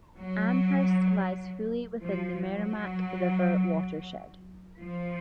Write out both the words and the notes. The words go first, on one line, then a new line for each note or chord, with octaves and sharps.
Amherst lies fully within the Merrimack River watershed.
F#3
F3
F#3
F3